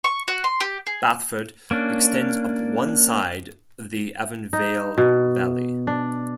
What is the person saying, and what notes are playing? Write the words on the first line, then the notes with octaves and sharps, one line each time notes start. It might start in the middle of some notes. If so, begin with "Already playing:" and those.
Bathford extends up one side of the Avonvale Valley.
C#6
F#4
C6
G4
G#4
A#3 C#4 D4
D#4
B2
D4